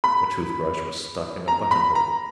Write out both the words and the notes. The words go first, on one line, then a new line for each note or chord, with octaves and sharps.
A toothbrush was stuck in a buttonhole.
B5
A#5
B5
A#5